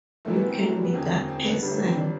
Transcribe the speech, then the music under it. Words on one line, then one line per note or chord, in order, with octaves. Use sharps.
You can be that person.
F#1 F#2 E3 A3
B3
C4
A3
F#3
G3
B3
E1 D2 D3 C4
C4
B3
G1 G2 D3 G3
A3
B3
C4
D4